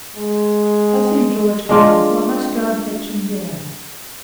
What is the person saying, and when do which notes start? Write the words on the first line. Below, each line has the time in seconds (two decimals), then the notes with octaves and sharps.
'I see George coming, so I must go and fetch in dinner.
0.15 G#3
1.69 G#3 D4 F4